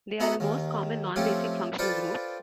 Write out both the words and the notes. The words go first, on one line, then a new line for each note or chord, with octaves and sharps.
They are the most common non-basic functional group.
B3 E4 F#4 A4 D#5 A#5
D#2 D#3
F3 A3 C4 C#4 G4
D4 F4 A4 B4 C5 G5